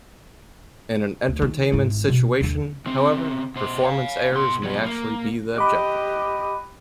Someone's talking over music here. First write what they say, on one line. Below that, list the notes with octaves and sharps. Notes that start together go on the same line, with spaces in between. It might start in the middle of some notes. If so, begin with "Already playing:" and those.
In an entertainment situation, however, performance errors may actually be the objective.
D2
D#3
G#1 E4
B2
D#2 D3
C#3 C4
B2 C5
C#5 F5
B2 C6
B2 F#3
A#3
G4 D#5 B5 D6 F#6